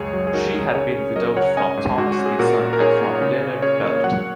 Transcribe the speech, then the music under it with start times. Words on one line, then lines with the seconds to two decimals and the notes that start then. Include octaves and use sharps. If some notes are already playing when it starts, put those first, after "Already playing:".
She had been widowed from Thomas Smithson and from Leonard Belt.
Already playing: C#2 F#2 G#4 C#5
0.13 F#3
0.27 G#4
0.34 D#4 F#4 A#4
0.54 D#4
0.75 C#3 G#4 C#5
0.95 C#4
1.16 F#3 A#4 D#5
1.37 C#3 C#5 F#5
1.57 C#4 D#5 G#5
1.77 G#2
1.98 G#2 F#4
2.12 F#4
2.19 C#4
2.26 G#4
2.39 A#2 F#4 A#4
2.59 A#2
2.73 A#4
2.80 D#4 G#4 C#5
3.01 A#2
3.21 C#3
3.42 C#3
3.62 C#4 G#4 C#5
3.84 A#3
4.04 F#3 C#5 F#5